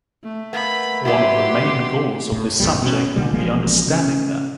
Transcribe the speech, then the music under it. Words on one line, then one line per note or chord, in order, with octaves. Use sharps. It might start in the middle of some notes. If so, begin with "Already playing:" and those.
One of the main goals of this subject will be understanding them.
A3
A#3 B3 B5
F#3 B3 E4 G4 C6
A2
G#1 E2 A#2 G3
B2 C#4
C#2 D3 G3 A#3
A1 F3 G#3 A#3
C#3